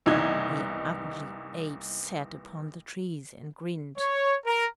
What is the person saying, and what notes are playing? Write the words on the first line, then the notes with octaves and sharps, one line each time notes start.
The ugly apes sat upon the trees, and grinned.
F#1 C2 E3 B3 D#4 G#6
C#5
A#4